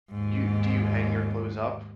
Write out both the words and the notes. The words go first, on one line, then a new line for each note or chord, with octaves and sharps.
you do you hang your clothes up?
D#2 G#2